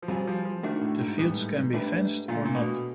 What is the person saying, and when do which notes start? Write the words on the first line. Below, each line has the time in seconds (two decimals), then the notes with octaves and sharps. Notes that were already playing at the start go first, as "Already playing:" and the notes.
The fields can be fenced or not.
0.02 F3
0.08 F#3 G3 C4 F4 G#4
0.27 F3
0.45 F3
0.63 D#3 A3 D4 F#4
0.81 A2
1.00 G#2
1.18 A2 E3 G3 B3
1.73 A3 D4 G4 B4
2.28 A#2 A3 D4 F4
2.45 A#2
2.56 B2